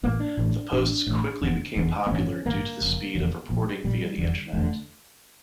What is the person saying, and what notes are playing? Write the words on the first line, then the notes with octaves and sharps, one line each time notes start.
The posts quickly became popular due to the speed of reporting via the Internet.
A1 A2 A#3
D4
A1 A2
A1 A2 D4
A1 A2
F1 E2 D3
F1 E2 D3
A#3
A1 G2 D3 C#4
A1 G2 D3 A#3
F1 E2 C#3
F1 E2 C#3
A#1 A#2
A#1 A#2 G3
F1 E2 D3
F1 E2 D3 A3